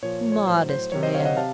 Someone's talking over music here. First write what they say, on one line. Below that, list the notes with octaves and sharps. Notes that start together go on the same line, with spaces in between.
'Modest man!
A#2 F3 C#5
C#5
A2 F#3 C5
C5
C3 D#3 F#3 C#5
C5 D#5
C#5 F5
D#5 F#5
C3 F5 A5